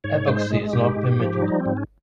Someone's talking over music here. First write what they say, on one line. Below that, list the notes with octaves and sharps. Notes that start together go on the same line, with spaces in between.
Epoxy is not permitted.
G#2 C#5
G#3 C5
G#3
G#2 G4
G#2
F3
G3 D#4
C4
G#2
C#4